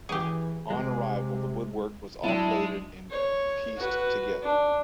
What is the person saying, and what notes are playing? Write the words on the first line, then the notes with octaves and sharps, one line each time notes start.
On arrival, the woodwork was offloaded and pieced together.
E3 G4 G#4
C3 G#3
F#3 G#3 D4 E4 E5 A5
C#5
F#4 B4
D4